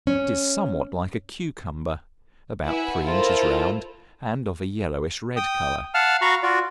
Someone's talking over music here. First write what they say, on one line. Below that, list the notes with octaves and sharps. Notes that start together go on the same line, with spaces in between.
It is somewhat like a cucumber, about three inches round, and of a yellowish red color.
C#4
E4 B4 E5 F#5 G#5
E4 F4 A4 A#4 C5
G5 D#6
F5 F#5 A5 F6
F#4 F5 A#5 B5 C#6
F4 F#4 D5